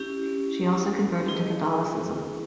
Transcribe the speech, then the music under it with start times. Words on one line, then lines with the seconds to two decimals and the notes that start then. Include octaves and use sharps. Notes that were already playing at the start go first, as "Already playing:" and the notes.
She also converted to Catholicism.
Already playing: C#4 E4 G4
1.29 E4 G#4 D#5